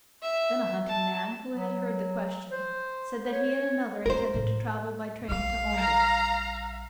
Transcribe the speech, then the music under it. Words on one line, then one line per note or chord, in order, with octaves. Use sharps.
Then a hunting man who had heard the question said that he and another intended to travel by train to Oundle.
E5
A5
F#3
C5
C#5
C4 D4 A#4 C5
A2
A#1 G3 F5
A#5